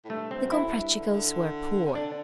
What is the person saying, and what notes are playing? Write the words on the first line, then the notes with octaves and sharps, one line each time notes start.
The Comprachicos were poor.
A2
G2 A3
C4
F#2
E4
A2
G2
D3
D3
C3
D3 D4